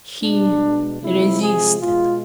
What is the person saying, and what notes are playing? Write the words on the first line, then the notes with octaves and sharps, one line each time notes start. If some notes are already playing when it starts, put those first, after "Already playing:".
He resisted....
B2 G#3 D4
C3 F3 G#3 E4
G#4
B2 G#3 F4